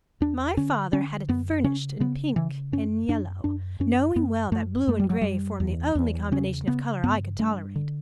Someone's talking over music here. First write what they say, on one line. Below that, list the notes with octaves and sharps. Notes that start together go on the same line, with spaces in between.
My father had it furnished in pink and yellow, knowing well that blue and gray formed the only combination of color I could tolerate.
E2 D4
D3 C#4
D3 C#4
F#2 B3
C#3 C#4
C#3 B3
C#3 E3
F#2 C#4
F#2 D4
F#2 D4
F#2 C#4
F#2 B3
F#2 A3
F#2 A3
G3
F#3
F#2 G3
E2
E2
C#3 C#4
C#3 B3
G2 B3
G2 A3
D3